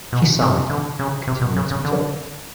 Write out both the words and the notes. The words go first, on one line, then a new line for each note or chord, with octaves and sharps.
She sighed, continuing to be gentle.
B2
C3
D3
C#3
C3
B2
C#3
C#3
D3